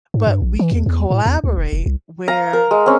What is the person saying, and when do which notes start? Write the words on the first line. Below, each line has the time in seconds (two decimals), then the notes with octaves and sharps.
but we can collaborate where
0.14 G#2
0.27 G2
0.42 A#1
0.59 E3
0.72 E2
0.86 E2
1.10 A2
1.26 E2
1.44 D2
1.57 E1
1.73 F1
1.86 C2
2.28 F5 A#5
2.53 A#4
2.71 G#3
2.86 C4 C#4